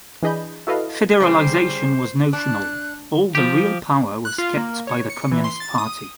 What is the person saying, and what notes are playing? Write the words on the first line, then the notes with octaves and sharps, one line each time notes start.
Federalization was notional - all the real power was kept by the Communist Party.
E3 D4 G#4 D#5 B5 G6
E4 F#4 A4 B4 D#5 F5
C#3 G3 C5
D4 F#6
F3 G4
F#6
F4
A#3
C#5
C#7
E3
C6
A6
D#6